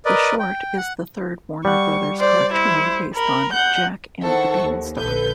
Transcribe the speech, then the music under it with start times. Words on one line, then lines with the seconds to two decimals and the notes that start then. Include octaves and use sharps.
The short is the third Warner Brothers cartoon based on "Jack and the Beanstalk".
0.05 A#4 B4 D5 D#5
0.39 G5
0.77 F#5
1.65 G3 F#5 C#6
2.20 C5 D5
2.53 E4 C5
3.15 A#4 B5
3.53 F#5 G6
4.21 D#3 E4 A4 C5 F#5 C#6
4.62 D#2
4.98 A#1 D3 A4 B4 G6